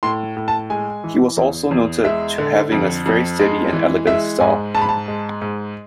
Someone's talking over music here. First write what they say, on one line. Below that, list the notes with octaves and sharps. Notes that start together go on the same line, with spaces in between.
He was also noted to having a very steady and elegant style.
A2 C6
A2
A5
G#3 G#5
E3
E2
E2
G#3 E5
D3
F2
F2
G#3
E3
G#3 E5
G#2 G#5
G#2 A5
B5
A5
G#3
G#2